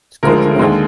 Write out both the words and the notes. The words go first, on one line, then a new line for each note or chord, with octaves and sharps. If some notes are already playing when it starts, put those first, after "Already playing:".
It's good to know.
D2 D3 F3 G#3 A#4
D#2 D3 G#3